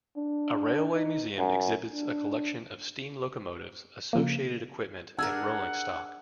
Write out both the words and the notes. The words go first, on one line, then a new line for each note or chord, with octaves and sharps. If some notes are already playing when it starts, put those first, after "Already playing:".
A railway museum exhibits a collection of steam locomotives, associated equipment and rolling stock.
D4
D#4
F#2
D4
C#3 F3 A#3
D4 G#4 A#4 F#5 E6 G#6